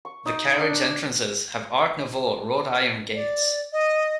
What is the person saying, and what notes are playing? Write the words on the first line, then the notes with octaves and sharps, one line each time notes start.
The carriage entrances have Art Nouveau wrought-iron gates.
C#6
D#4
D4
D5
D#5